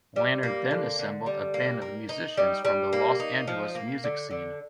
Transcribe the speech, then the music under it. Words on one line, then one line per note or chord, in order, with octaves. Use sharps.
Laner then assembled a band of musicians from the Los Angeles music scene.
G3
A#3
D3
D3
G3
A#3
A#3
D#4
G3
G3
A#3
D#4
F3
A#3
D3
D3